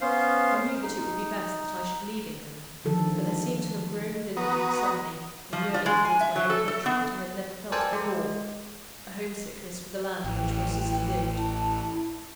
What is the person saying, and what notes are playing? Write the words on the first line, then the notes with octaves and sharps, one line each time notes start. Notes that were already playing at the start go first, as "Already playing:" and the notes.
I knew that it would be best that I should leave England; but there seemed to have grown within me, suddenly, a yearning towards my own country that I had never felt before--a home-sickness for the land in which my sister lived.
B3 C#4 C5 F5
A#4
D#4
D3 D#3 F3 A4
B3 F#4 A#5 D#6
F3
F4
G#3
G#5
E5
F#3
A4
A4
B3
A4 A#4 C5 D5 G5 G#5
G#3
A1 E4 G5
E4 A5